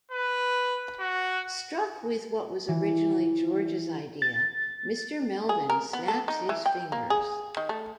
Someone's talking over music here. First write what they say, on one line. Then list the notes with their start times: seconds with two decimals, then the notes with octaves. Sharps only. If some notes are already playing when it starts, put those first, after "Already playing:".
Struck with what was originally George's idea, Mr. Melvin snaps his fingers.
0.11 B4
1.00 F#4
2.68 E3
4.22 A6
5.49 G#4
5.70 A#4
5.93 B3
6.08 A4
6.28 D#4
6.49 E3
6.66 G5
6.92 A#3
7.10 G#4
7.57 D#3
7.69 A3